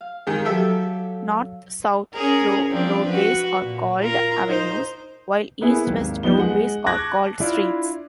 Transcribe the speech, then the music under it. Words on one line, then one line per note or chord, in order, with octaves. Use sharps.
North-south through roadways are called "avenues", while east-west roadways are called "streets".
F5
D#3 G#3
F#3 G4 A4 E5 F5
C#4 G#4 A#4
F3 C4 D4
F#4 B4
A#2
F4 A#4
D#4 C5
A#3 B3 E4 G#4
G#1 D#2
F3 B3 D#4 G7
G#3 F#5
A5 C#6 D6 F#6 G#6 A#6
D4 E4 F4